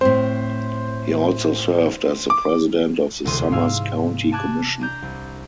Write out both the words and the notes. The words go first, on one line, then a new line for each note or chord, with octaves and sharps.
He also served as the president of the Summers County commission.
A2 C4 C5
D6
E1 D2 C3 G#3 C6 D#7
G#2 F5 G#5 E6
G#5 A5 D6 F#6 G#6
D4 A#5 G6
C2